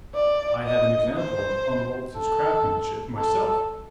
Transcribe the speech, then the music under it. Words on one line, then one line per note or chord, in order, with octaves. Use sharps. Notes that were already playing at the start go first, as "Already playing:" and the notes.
I have an example of Umholtz's craftsmanship, myself.
D5
D#5
C5
A4
A4